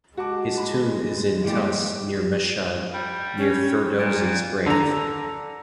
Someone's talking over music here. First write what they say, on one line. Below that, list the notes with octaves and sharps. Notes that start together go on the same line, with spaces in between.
His tomb is in Tus near Mashhad, near Ferdowsi's grave.
G#3 F#4 A5 D6
B5
E3 G3 G#3 A#3 G4
G3
C#4
A#2 G3
D3 A#5